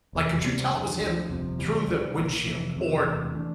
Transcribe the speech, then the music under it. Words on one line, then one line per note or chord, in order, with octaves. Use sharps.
Like, could you tell it was him through the windshield, or
F1 E2 C3 E3
D2 C3 G3
F2 D3 G3
D2 D3 F3
G1 F2 C3 F3
D2 C3 E3 G3
D2 D3 G3
A#1 A2 E3 A#3
F1 F2 E3
F2 C3 E3
E1 D2 C3 E3
E3 A3 D4